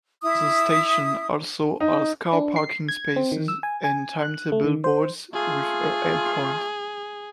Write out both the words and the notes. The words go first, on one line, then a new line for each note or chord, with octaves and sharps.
The station also has car parking spaces and timetable boards with a help point.
E4 E5 D#6
D#4
D4
C7
G#6
C4
D#3
E6
G#5
G#5
F#6
A3
D#3
C5
A3 F4 G#4